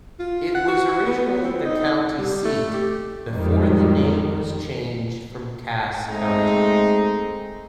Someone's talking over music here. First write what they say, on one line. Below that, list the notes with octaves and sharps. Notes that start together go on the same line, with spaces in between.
It was originally the county seat before the name was changed from Cass County.
F4
F#5
F#4
B3
C4
D#4
G3
A3
G4
F2 A2 D#3 G3 G#3
G#3 A3 C4 D#4